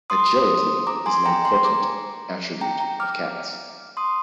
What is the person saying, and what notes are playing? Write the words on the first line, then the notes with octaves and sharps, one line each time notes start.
Agility is an important attribute of cats.
C6 D#6
A#5 D6
G#5 C6
G5 A#5
G#5 C6
A#5 D6
G5 A#5
G5 A#5
D6 F6
C6 D#6